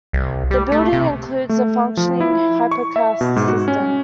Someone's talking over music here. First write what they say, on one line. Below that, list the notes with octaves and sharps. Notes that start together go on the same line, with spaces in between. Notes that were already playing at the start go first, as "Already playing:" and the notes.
The building includes a functioning hypocaust system.
C2
G3
A3
C3
A3
F3
E4
C#6
E5
B2
G#2
F#4
C#4